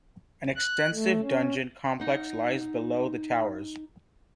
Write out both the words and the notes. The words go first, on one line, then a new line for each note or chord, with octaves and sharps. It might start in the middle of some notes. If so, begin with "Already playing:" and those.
An extensive dungeon complex lies below the towers.
F#6
A3
C#4
D#4 F#5